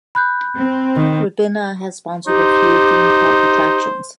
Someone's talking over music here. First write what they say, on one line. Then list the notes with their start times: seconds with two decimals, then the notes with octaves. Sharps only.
Ribena has sponsored a few theme park attractions.
0.15 B5 F#6 G6
0.57 C4
0.96 D#3
2.27 D#4 G4 C5